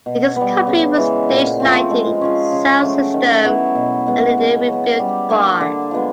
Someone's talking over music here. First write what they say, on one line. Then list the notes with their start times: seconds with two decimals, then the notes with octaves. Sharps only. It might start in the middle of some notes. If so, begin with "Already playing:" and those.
It is complete with stage, lighting, sound system and newly rebuilt bar.
0.06 B2
0.36 G3 B3
0.67 C#3
0.98 E3 G#3
1.29 A#2
1.60 F3 A3 C4
1.91 G#3
2.21 C#4 F4 G#4
2.52 C#3
2.83 F#3 A3 C#4
3.14 D#3
3.45 F#3 B3 E4
3.75 B2
4.06 G#3 B3
4.38 C#3
4.68 F#3 B3
4.99 G3
5.29 A#3 D4
5.61 D3
5.91 F3 G#3 B3